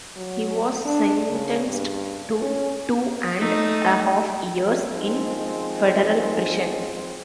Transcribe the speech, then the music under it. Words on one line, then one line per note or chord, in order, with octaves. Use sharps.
He was sentenced to two and a half years in federal prison.
F#3
D4
C#3
G2
C#4
A3 D#4
D#3 F3 G#3 C4 D#4